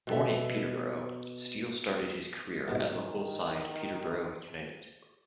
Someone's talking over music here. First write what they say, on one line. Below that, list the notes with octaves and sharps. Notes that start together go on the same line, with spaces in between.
Born in Peterborough, Steele started his career at local side Peterborough United.
B2 A4 E5
F2 G#2 B2 D#3